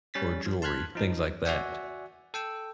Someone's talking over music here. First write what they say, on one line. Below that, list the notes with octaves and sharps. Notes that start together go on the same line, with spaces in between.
or jewelry, things like that. It's
G3 C#4 A6 B6
F3
A5 C6 F6 F#6 G#6 B6
F3 D#4
F#4 D5 E5 F#5 G#5
A4 G5 E6